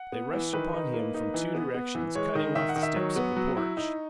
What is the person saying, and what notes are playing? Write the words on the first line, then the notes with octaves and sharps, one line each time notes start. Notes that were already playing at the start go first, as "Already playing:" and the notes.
They rushed upon him from two directions, cutting off the steps of the porch.
Already playing: F#5
B3
E3
D#3 B4
D#4
A#3
D#4
E3
B3
B3
E3
G#3 C#5
D#3 D#5
D#3 E5
F#5
D#3
E5
F#3 C#5
B3
F#3
E4
D#4